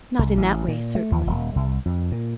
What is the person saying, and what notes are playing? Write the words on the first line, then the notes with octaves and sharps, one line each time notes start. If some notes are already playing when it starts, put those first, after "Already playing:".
"Not in that way, certainly."
C2
A1
A#2
A3
D#2
D#1
C2
F2
A#2